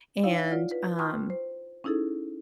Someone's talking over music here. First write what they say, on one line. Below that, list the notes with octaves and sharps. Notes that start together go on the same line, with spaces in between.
And, um,
D#4 E4 C#5 F5 G5
F4 D5 F#5
B4
G5 A5 C6 C#6 D#6 F6
C5
C#4 D#4 E4 G#4 A4